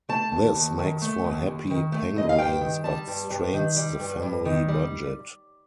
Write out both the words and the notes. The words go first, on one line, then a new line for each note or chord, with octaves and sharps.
This makes for happy penguins, but strains the family budget.
A3 A5
D#2
D#2
D#3
A3
D#2
D#2
D#3
A3
D#2 D#5
F5
G2 G5
D#3
G3 A5
G2
G2
D#3
G3
G2
G2
D#3
G3